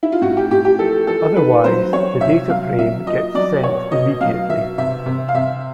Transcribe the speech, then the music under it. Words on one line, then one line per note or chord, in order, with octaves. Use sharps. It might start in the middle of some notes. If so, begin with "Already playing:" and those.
Otherwise, the data frame gets sent immediately.
E4
F4
A2 F#4
G4
A2 G4
G4
F3 A4
F3 A4
D#3 B4
F#3 C5
F#3 C#5
C3 E5
F#3 F5
F#3 E5
A#2 D#5
F#3 D5
B2 C#5
B2 D#5
F#3 F5
B2 E5
C3 E5
C3
F5
C3 E5